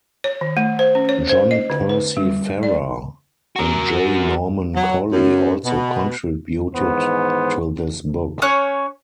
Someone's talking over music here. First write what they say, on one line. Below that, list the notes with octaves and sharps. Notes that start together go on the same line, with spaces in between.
John Percy Farrar and J. Norman Collie also contributed to this book.
C#5
D#3
A3
C5
C#4
C#5
C5
D#5
D3
B4
G3
D5
F#4 A#4
F#3
F#2
B2
G#2 D#3 E3 B3 C5
C#4 C#5 F#6